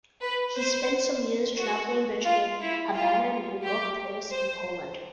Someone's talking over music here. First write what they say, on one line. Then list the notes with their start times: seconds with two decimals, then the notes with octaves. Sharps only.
He spent some years travelling between Havana, New York, Paris and Poland.
0.22 B4
0.56 C5
1.57 F#4
2.25 F4
2.61 E4
2.94 F4
3.63 G4
4.31 C5